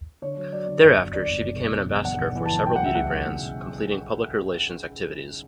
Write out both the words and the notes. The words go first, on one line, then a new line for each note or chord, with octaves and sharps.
Thereafter she became an ambassador for several beauty brands, completing public relations activities.
D3 C#5
F#3
F#3 D5
D3
G1
G1
G1 D5
G1
B1
B1
B1
B1
B1 F#5
B1
E3
A5
B1
F#3 G5
F#5
C#2 E5
C#2 F#5
C#2
C#2
B2
F#3